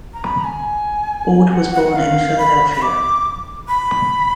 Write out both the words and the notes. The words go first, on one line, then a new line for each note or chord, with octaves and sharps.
Ord was born in Philadelphia.
A#5
B5
A#5
G#5
F#5
F#5
F5
B5
B5
D6
B5